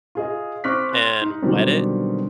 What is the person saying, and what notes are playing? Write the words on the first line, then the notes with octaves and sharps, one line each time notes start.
and wet it,
F4 G#4 D#5
C4 C#6 D6 F6 F#6 B6
C6 F#6
D#4
B2 D3 D#3 F#3 G3 C4